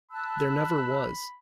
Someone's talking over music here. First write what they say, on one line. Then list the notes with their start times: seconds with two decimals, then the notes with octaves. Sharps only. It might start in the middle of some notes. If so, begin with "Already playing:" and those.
There never was...
0.11 A5 B5 E6 F#6